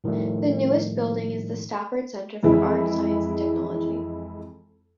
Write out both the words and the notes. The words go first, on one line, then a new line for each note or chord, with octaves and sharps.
The newest building is the Stafford Center for Art, Science and Technology.
A2 D#3 F3 G3 A3
F2 E3 G#3 E4